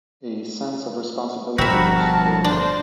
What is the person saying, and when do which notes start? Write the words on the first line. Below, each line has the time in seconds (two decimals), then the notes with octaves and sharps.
A sense of responsibility would spoil her.
1.58 G1 B2 F3 C4 F#4 A#4 E5 B5
1.97 A5
2.45 D4 C5